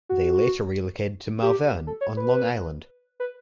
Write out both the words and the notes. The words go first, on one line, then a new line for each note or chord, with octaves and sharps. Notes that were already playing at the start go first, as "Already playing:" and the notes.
They later relocated to Malverne, on Long Island.
F#4
G4
A4
C#5
B4
B4